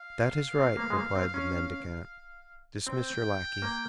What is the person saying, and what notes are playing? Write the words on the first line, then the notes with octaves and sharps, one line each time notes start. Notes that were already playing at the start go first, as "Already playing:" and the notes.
"That is right," replied the mendicant; "dismiss your lackey."
Already playing: F5
C4
A#3
G#3
A#3
C4
C#4
C4 G5
A#3